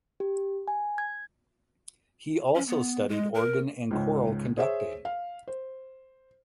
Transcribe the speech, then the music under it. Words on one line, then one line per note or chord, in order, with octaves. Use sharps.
He also studied organ and choral conducting.
G4
G#5
G#6
C#4
B3
G#3
A#4
C#2 G#2 C#3
G#4 C5 C#5 E5
F5
C5